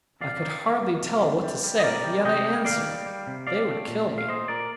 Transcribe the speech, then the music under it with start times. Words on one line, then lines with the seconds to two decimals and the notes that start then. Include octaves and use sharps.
I could hardly tell what to say: Yet I answered, they would kill me.
0.21 F2 D5 F5
0.41 D#3
0.62 G3
0.82 F2
1.02 C3
1.23 F2
1.44 G3
1.64 G3
1.79 D#5
1.84 C3 A#4 D5
2.04 G3
2.25 C3 D#5 G5
2.45 G3
2.65 D#3 D5 F5
2.86 G3
3.06 G3
3.27 C3
3.47 C4 D5 F5
3.67 A3
3.88 A#2
4.08 A#2
4.18 F5
4.28 A#2 C5 D#5
4.48 A#2 A#4 D5